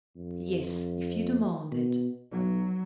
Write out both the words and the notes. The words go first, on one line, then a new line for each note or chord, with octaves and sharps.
"Yes, if you demand it."
F2
B2
B1 F#3